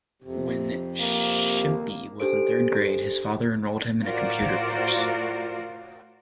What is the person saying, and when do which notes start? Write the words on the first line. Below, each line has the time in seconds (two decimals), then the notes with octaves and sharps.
When Shimpi was in third grade, his father enrolled him in a computer course.
0.22 F2 C3
1.00 A#3
2.20 D4 G4 A4 C5 D7
4.04 A2 F4 F#4 A#4 C5 D5